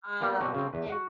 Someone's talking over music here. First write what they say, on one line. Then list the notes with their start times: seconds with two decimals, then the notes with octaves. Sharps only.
um, and
0.20 G3 A#3 B3 D4 F4
0.40 B2 G3 C4 F#4
0.54 C#3 C4
0.73 E2 B4
0.90 F#4 F#5